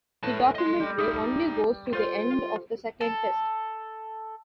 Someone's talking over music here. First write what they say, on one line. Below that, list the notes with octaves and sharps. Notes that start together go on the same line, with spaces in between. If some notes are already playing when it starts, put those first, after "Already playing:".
The documentary only goes to the end of the second test.
A2 B4 A5
D#5 C6
G3
D#4 E5 D#6
F4 A4 C5 C6
A4